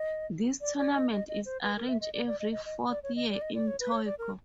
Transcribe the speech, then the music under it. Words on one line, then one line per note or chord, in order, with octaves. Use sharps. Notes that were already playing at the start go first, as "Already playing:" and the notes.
This tournament is arranged every fourth year in Tokyo.
Already playing: D#5
D5
D5
D#5
D#5
D#5
C5
B4
A#4
E5
D#5
D5
D5
D#5
D#5
D#5
D5
C#5
D#5
D5
D#5
D5
C#5
B4
C#5
D5
A#4